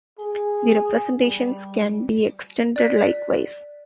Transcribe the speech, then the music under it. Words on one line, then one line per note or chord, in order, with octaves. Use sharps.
The representations can be extended likewise.
G#4
G3
D5 F#6 B6